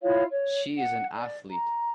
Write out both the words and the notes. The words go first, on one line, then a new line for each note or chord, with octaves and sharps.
She is an Athlete.
E4 F4 C#5 F5
C#5
F#5
D5
A#5